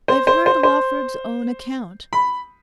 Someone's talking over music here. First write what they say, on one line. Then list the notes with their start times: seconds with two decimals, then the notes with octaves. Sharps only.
I have heard Lawford's own account.
0.08 C5
0.27 C5
0.46 C5
0.63 C5
2.13 B5